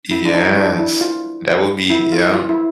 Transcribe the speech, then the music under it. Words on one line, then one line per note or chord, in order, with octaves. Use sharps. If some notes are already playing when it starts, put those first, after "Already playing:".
Yes, that would be yeah.
E4
D4
D#4
D4
E4
F4
E4
F4
F4
E4